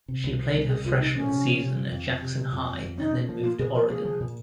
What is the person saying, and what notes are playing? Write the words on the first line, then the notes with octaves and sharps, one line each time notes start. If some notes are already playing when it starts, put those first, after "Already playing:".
She played her freshman season at Jackson High and then moved to Oregon.
C3
C2
F3
C2
C2 G#4
C2 F4
C3 D#4
F3 C#4
C3
F3
C3
F3
F2
F2
C3
C3
F2
F2
F2
C#4 D#4
C#4
F3
A#3 F4
A#2 G#4
F3 A#4
A#3 G#4
F3
A#2